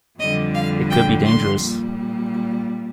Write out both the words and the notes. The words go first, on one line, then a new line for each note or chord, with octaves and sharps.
It could be dangerous.
F2 D3 G3 D#5
F5
G5
C6
A#2 G3